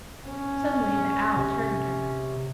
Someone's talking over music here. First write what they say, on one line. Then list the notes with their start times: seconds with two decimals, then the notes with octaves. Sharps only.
Suddenly the Owl turned to her.
0.29 C#4
1.37 C3